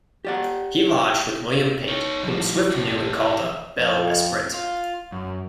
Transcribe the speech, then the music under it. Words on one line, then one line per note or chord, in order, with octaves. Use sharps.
He lodged with William Pate, whom Swift knew and called a "bel esprit".
G4 D5 F#5
D#4 C#5
F3 G3
E3 G4
F2
F4
F#2